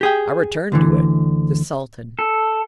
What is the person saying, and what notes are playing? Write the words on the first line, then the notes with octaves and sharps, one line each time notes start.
I returned to it--the Sultan.
G4 G#4 G5
D2 D3 E3
A4